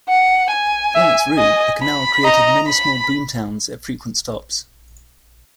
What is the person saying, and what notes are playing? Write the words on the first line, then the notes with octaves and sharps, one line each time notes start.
Along its route, the canal created many small boomtowns at frequent stops.
F#5
G#5
E5
D#5
B5
D#5 A#5
B5